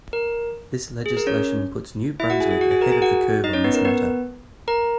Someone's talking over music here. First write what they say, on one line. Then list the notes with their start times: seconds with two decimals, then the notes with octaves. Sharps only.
This legislation puts New Brunswick ahead of the curve on this matter.
0.13 A#4
1.06 G#4
1.17 A#4
1.27 C#4 C#5
2.20 E4 E5
2.30 F#4 F#5
2.41 G#4 G#5
2.51 G#4 G#5
2.61 F#4 F#5
2.71 G#4 G#5
2.81 A#4 A#5
2.91 G#4 G#5
3.02 F#4 F#5
3.44 D#4 D#5
3.53 C#4 C#5
3.64 B3 B4
3.74 A#4
3.85 B3 B4
4.68 A#4 A#5